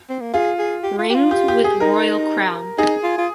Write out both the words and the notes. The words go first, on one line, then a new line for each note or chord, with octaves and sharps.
Ringed with royal crown.
C4
A#3
F4 G#4
G#4
G4
F4
G4
F4
G4
G4
G#4
D#4 A#4
D#4 G#4
F4
F4